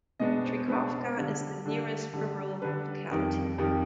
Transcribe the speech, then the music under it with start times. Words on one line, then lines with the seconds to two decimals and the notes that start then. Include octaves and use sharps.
Trykovka is the nearest rural locality.
0.20 B2 G#3 B3 D4 D#5
0.32 D#5
0.44 C5
0.56 C5
0.68 B2 G#3 B3 D4 B4
0.92 C5
1.17 D3 G3 D4
1.66 D3 G3 D4
2.14 D3 G3 D4
2.62 D3 G3 D4 B4
3.11 F2 D#3 G3
3.58 F2 D#3 G3